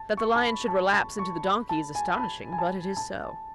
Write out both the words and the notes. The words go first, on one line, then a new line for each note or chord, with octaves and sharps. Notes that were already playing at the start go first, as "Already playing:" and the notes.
That the lion should relapse into the donkey is astonishing; but it is so.
Already playing: A5
C#6
A5
B5
A5
A5
C#6
B5
A5
G#5
B5
A5
G#5
A5
A5